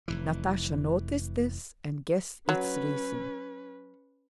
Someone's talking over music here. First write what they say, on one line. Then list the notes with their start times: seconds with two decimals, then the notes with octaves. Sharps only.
Natasha noticed this and guessed its reason.
0.08 F1 C#2 E3
2.49 F#3 C#4 B4